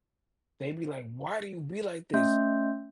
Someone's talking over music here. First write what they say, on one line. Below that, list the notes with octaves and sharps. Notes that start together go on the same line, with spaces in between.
They'd be like, "Why do you be like this?"
A3 C#4 D#5 E5 C6 G6